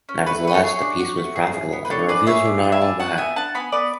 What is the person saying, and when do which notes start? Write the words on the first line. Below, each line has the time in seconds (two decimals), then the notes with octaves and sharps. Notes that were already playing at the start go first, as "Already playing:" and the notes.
Nevertheless, the piece was profitable, and the reviews were not all bad.
0.09 C#4
0.26 A3 B4
0.45 A3 B4
0.54 A4 C#5
0.63 G#4
0.81 D4
0.99 F#4
1.18 A3
1.36 G#4
1.54 G#4
1.73 B3
1.85 B4
1.90 D4 A4 C#5
2.08 G#4 B4 D5
2.27 G#4 C#5 E5
2.45 D4
2.64 D4
2.72 E5 G#5
2.82 D4
3.00 F#4 F#5 A5
3.18 B3 E5 G#5
3.36 D4 F#5 A5
3.55 B3 G#5 B5
3.72 B3 B4 D5